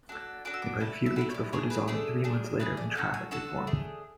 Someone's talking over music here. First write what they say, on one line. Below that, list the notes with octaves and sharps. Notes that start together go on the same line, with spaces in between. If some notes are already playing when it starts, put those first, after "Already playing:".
They played a few gigs before dissolving three months later when Traffic reformed.
D4 F#4 A4
D4 F#4 A4 D6
E6
D6
A3 E4 A4
E5
A3 E4 A4 F#5
C#5
D5
A3 D4 G#4 C#5
B4
A3 D4 G#4 A4
A3 D4 G#4
A3 D4 G#4 B4
D5
D4 F#4 A4 F#5
G#5
D4 F#4 A4 A5
A3 D4 G#4